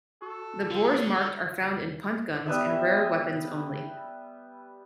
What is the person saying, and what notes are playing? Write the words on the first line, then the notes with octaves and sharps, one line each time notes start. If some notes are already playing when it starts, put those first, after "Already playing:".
The bores marked are found in punt guns and rare weapons only.
F#4 A4
D3 F4
G3 B3 B4 E5